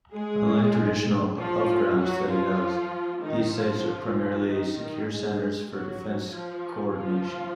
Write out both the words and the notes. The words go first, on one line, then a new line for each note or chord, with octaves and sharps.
Unlike traditional above-ground citadels, these sites are primarily secure centres for defence co-ordination.
G#3 G#4
F3 F4
F#3 F#4
F3 F4
D#3 D#4
F3 F4
D#3 D#4
D#3 D#4
G#3 G#4
F#3 F#4
F3 F4
F3 F4